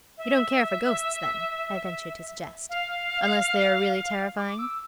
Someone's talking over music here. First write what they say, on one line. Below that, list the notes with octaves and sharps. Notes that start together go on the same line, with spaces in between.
"You don't care for Ghosts, then," I ventured to suggest, "unless they are really terrifying?"
E5
F5
D6
E6